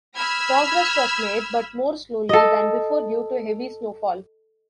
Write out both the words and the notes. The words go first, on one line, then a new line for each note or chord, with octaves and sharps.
Progress was made, but more slowly than before due to heavy snowfall.
B5 E6 F6 G#6
A4 D#5